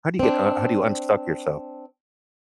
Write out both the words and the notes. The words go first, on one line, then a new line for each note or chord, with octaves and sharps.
How do you get uh, how do you unstuck yourself?
C4 D4